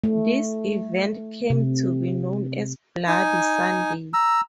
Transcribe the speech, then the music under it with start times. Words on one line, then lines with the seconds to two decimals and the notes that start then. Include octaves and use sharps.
This event came to be known as Bloody Sunday.
0.04 A3
1.50 C3
3.07 D#4 G#5
4.14 A#5 E6